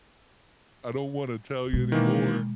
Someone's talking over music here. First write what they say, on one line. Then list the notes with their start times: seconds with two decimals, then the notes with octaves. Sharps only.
I don't wanna tell you anymore
1.73 B2 G#3
1.92 D#3 E3 A#3